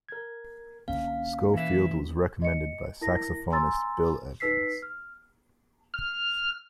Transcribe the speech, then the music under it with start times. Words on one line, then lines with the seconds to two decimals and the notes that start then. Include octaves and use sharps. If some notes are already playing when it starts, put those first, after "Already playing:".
Scofield was recommended by saxophonist Bill Evans.
0.09 A#4 G#6
0.88 C2 D3 A#3 C#4 F5
1.54 B2 E3 E5
2.42 D#5 C#7
3.01 E4 A#4 A#6
3.51 G#5 A#5 C6 E6 A6
4.40 D#4 B4 E6 B6 C7
4.82 F6
5.94 F6